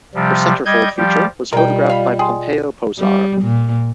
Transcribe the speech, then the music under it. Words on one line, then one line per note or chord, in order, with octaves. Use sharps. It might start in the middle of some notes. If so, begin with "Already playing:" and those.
Her centerfold feature was photographed by Pompeo Posar.
C3 F3 G3
G3 D#5 G6 G#6
F3 G3 G4
B2 G3 F4 A#4 D5 D#5 G5
F5 B5
G#4 G5 C6
G3
A#2